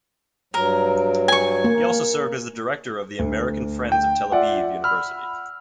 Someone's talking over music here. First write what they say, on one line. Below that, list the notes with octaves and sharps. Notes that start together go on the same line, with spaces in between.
He also served as the director of the American Friends of Tel Aviv University.
G2 F#3 A#4
G#5 C#6
A#3
D2
G5
F4 D5 E5 F#5
B5 E6 F6